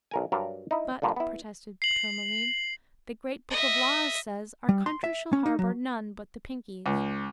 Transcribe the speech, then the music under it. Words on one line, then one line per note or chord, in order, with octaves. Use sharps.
"But," protested Tourmaline, "the Great Book of Laws says our country shall harbor none but the Pinkies."
B1 A#4 G#5
G2 F#3 D4 A#4 D5 A#5
D#4 E4
G2 A#2 D3
B3 E4
C7 F#7
D#5 E5
G3
C6
E5
C#4
D#4
F#3
C#2